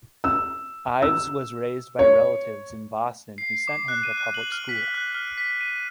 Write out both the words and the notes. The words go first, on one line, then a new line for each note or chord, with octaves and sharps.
Ives was raised by relatives in Boston who sent him to public school.
E6
E6
C#5
C7
D6
F#6
D#7
F#6
F#7
F6
B6
F#6
F6
B6
D#7